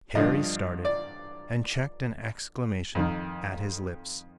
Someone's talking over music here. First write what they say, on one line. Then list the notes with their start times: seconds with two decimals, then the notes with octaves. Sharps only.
Harry started and checked an exclamation at his lips.
0.15 G2 D3 F3 D#5
0.85 D5
2.95 F2 D#3